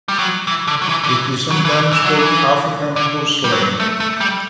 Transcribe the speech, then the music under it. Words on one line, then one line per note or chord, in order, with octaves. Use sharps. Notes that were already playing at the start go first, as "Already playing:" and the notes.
It is sometimes called African purslane.
G3
F#3
E3
D3
F#3
E3
D3
E3
F#3
E3
D3
E3
F#3
E3
D3
G3
F#3
A3
A3
G3